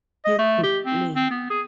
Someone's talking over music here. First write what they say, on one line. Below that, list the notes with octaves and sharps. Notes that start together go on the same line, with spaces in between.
He could play.
D#5
A3
G4
C4
C4
B3
G#4